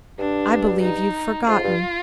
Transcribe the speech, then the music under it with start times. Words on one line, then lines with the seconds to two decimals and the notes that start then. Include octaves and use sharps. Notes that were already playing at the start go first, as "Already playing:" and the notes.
"I believe you've forgotten."
0.19 G2 D4
0.82 D#4
1.47 G#2 F4
1.63 G2